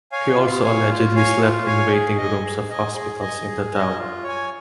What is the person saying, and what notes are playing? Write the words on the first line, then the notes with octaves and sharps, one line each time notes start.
He also allegedly slept in waiting rooms of hospitals in the town.
C#5 F5 G#5
F4
C#5 F5 G#5
F4
C#5 F5 G#5
F4
C#5 F5 G#5
G#4
D#5 G#5
G#4
D#5 G#5
G#4
D#5 G#5
G#4
D#5 G#5
F4
C#5 G#5